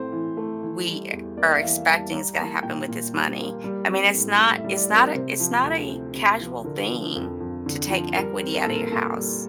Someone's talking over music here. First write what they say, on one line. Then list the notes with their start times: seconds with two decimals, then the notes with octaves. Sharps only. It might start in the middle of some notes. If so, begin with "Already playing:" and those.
we are expecting is gonna happen with this money?" I mean, it's not it's not a it's not a casual thing to take equity out of your house.
Already playing: A2 A3 C4 C5
0.12 E3
0.37 A3
0.62 E3
0.87 G3
1.13 E2
1.37 A#3 D5
1.55 E5
1.62 E3 F5
1.88 G3 A5
2.13 G3 A#5
2.34 A#5
2.37 A#3 A5
2.63 A#2 G5
2.88 A#2
3.13 G3
3.39 A#3
3.64 G3
3.88 C4
4.14 A2
4.38 A2
4.58 E5
4.64 G3
4.76 D5
4.90 C4
4.95 A#4
5.14 C3 C5
5.40 F3
5.64 D2
5.90 C4
6.14 C3
6.40 F3
6.64 D3 A#4
6.90 F3
7.16 F2
7.40 F2
7.66 D3
7.90 F3
8.16 G3 A#4
8.41 C4
8.54 A#4
8.65 A#2 A4
8.75 A#4
8.91 A#2 A4
9.16 G3